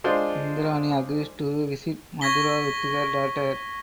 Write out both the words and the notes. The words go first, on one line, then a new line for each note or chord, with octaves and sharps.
Indrani agrees to visit Mathura with her daughter.
G#3 D4 F4 C5
C#6 G#6 A#6 B6 G7